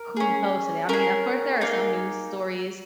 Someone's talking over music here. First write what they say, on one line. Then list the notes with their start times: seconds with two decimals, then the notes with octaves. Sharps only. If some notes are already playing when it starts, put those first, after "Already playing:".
who posted it. I mean, of course, there are some news stories,
Already playing: A#4
0.17 C#4 G#4
0.89 C#4 G#4 A#4
1.61 A#3 D#4 G#4